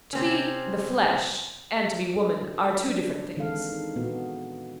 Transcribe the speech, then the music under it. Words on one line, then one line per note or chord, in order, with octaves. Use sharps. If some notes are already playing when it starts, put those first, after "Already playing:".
To be "the flesh" and to be woman are two different things.
C3 C4 C#4
D4 F#4 A4 B4
D4
D#3 E3 G#3 C4 A4 F5
D#4
A#2 B3 F#4